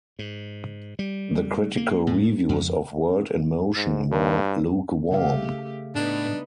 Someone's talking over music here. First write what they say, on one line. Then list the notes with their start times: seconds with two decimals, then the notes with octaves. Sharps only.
The critical reviews of "World in Motion" were lukewarm.
0.19 G#2
0.99 G3
1.77 A#3
2.07 A2
2.49 F2
3.76 G#2
4.12 G2
5.11 C#3 A3 G4 E5 F5
5.95 A2 B3 D4 D#4 B4